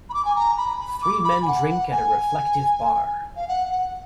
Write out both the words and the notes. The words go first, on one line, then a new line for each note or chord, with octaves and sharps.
Three men drink at a reflective bar.
B5
D6
G#5
A#5
B5
B5
D6
B5
G#5
F#5
F#5
G#5
F5
F#5
F#5